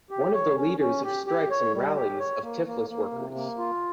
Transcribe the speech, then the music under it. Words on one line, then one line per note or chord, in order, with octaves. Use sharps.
One of the leaders of strikes and rallies of Tiflis workers.
G4
C#5
C#4
C#4
G4
G4
C#5
G3
G4
C#5
A#3
A#3
A#3
C3
A#3
F4